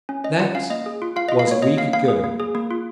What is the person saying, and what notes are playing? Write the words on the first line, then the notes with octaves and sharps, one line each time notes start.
That was a week ago.
C#4
C#4 D#5
F4 F#5
C#4 F5
A#3 D#5
G#4
F4
F4 F5
F4 D#5
F5
A#3 C#5
A#3 D#5
A#3 F5
A#3 F5
G#4
A#3
G#4
A#3
F4